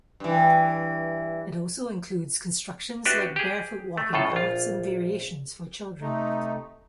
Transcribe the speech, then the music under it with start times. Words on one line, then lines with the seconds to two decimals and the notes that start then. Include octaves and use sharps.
It also includes constructions like barefoot walking paths and variations for children.
0.20 G2 E3
3.06 D4 F#4 G4 B4 E5
3.36 G4 G#4
3.97 A3
4.13 F#2 A2 F4 A4
4.32 A#1 F4
6.02 C3 A3 D#4